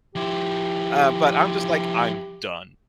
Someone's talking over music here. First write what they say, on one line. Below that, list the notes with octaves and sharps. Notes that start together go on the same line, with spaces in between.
Uh, but I'm just like, "I'm done,"
F3 E4 G4